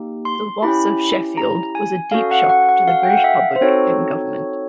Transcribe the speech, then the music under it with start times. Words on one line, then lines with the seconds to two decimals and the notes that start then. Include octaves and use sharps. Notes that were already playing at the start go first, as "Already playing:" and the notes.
The loss of "Sheffield" was a deep shock to the British public and government.
Already playing: A#3 D#4 G4
0.25 C6
0.62 C#4 E4 G4 B5
1.37 A#5
1.75 G#5
2.12 C#4 F#4 A4 F5
2.31 F#5
2.49 F#5
2.69 F#5
2.88 F5
3.03 G5
3.10 F#5
3.17 F5
3.24 E5
3.56 C5
3.61 C4 D#4 F#4 A4 C#5